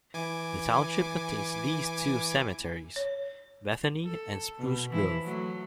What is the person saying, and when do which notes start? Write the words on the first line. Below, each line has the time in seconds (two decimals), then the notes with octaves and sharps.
The township contains these two cemeteries: Bethany and Spruce Grove.
0.14 E3 G#5 D6
2.96 C#5
4.04 A4
4.58 B2
4.91 E3 F3 E4
5.24 F#3 A3